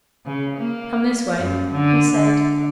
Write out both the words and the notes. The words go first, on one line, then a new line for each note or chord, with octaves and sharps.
"Come this way," he said.
C#3
A#3
F#2
D3
D3